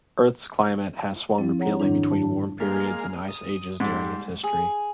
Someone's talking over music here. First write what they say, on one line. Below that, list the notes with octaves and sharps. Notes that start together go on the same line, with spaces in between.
Earth's climate has swung repeatedly between warm periods and ice ages during its history.
F3 C4 E4
G#4 C#5 F#5 A#5
G#2 D#3 G3 D4 E4
A5
G#3 A#3 F5
D#6
G#2 G3
G#4